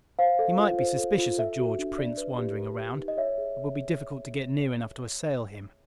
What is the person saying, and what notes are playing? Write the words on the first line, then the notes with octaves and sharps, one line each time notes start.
He might be suspicious of George Prince wandering around: it would be difficult to get near enough to assail him.
C5 F5
A4
F4
C5
A4
F4
A4 E5
F#4
D4
D5
B4
G4
A#4
G4
D#4
D#5
C#5 E5
G#4